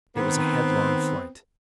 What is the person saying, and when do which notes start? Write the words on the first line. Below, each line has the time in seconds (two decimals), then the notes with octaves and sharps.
It was a headlong flight.
0.17 D#3 B3 C4